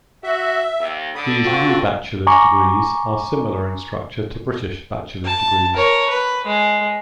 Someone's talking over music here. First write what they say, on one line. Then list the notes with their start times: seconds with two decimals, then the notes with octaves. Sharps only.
These new bachelor's degrees are similar in structure to British bachelor's degrees.
0.24 F#4 E5
0.79 D#2
1.15 D3 B5 D#6
1.45 C4 F4 F#4
2.27 G#5 A#5 C#6 D6
5.25 A5
5.74 A#4 C#5
6.10 B4
6.46 G#3